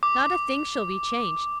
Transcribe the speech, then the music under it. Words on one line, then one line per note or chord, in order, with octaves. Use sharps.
Not a thing shall be changed.
D6